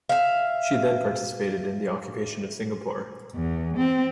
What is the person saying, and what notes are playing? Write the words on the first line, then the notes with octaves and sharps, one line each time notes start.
She then participated in the occupation of Singapore.
E5 F5
E2
C4